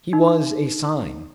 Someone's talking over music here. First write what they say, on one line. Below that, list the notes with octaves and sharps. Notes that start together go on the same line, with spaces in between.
He was a Sign.
D#4